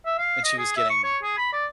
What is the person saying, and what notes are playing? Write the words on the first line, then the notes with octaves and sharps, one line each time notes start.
and she was getting,
E5
F5
D#5
G#4
E5
C#6
C#5
G#4
B5
D5